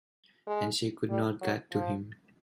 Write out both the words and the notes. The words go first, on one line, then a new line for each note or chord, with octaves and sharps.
And she could not get to him.
G#3
G3
F#3
F3